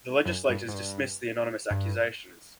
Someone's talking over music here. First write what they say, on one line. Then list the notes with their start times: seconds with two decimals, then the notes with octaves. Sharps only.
The legislators dismissed the anonymous accusations.
0.25 F#2
0.49 G2
0.68 G#2
0.74 G2
1.70 G2